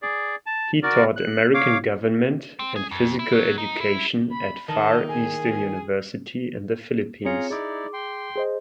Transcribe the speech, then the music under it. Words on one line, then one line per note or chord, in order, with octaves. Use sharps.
He taught American government and physical education at Far Eastern University in the Philippines.
G#4 D5
A5
F#4 A#4 D5
F#6
C#5 F5 D6
C4
G#4
F2
E4
F#3
D#4
E4
B5
D#3 D#5 A5
G#4 G#5
C4 F4 G#4 C#5 A#5 C#7
D#4 E4 G#4 D5 D6
G5 C6
G#4 C5 D#5